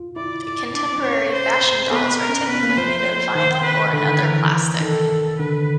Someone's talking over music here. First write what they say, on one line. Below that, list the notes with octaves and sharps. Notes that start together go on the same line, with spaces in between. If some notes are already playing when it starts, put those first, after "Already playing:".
Contemporary fashion dolls are typically made of vinyl or another plastic.
Already playing: F4
E4 D5
D5
D4 D5
C4
C#4 C#5
C5
C4
B3 B4
A#4
C#4
C4
B3 B4
A#3
F3 C5
D#3 C5
B4
D3 B4
D#3
E3 A#4
D#3 A4
D3 B4